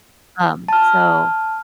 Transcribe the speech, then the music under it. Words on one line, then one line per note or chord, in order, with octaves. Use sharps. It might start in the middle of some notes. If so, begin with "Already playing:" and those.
Um, so,
A5 F6